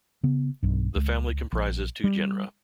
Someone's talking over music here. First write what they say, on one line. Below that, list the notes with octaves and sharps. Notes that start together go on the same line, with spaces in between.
The family comprises two genera.
C#3 B3
B1 G2
C#2
A#1
G3